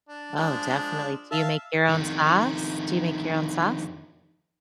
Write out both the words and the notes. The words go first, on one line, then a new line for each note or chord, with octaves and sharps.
Oh, definitely. Do you make your own sauce? Do you make your own sauce?
D4
F3 G#3 D4
E5 F5 A5
F2 D#3